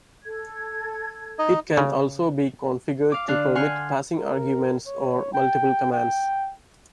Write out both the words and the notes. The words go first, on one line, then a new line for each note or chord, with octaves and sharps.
It can also be configured to permit passing arguments or multiple commands.
A4 G#6
D#4 D#5
C#3
F5 D6
D3 D4 F5 F#6
F#5 G#5 C6 F6
A#4
C#5
G5
G5